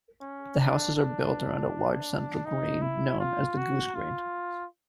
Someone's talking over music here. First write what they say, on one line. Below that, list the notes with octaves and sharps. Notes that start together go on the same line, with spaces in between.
The houses are built around a large central green, known as the Goosegreen.
C#4
D4
D4
D#4
E4
F4
F#4
F4